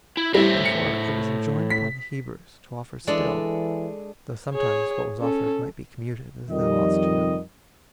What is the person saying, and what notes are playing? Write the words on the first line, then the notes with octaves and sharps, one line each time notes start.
Therefore it was enjoined upon the Hebrews To offer still, though sometimes what was offered Might be commuted, as thou ought'st to know.
E4
A2 G3 E4 C5 E5
C#7
B6
E3 G#3 D4 A4
G#4 C#5
C#4 A4
F2 D#3 G3 D#5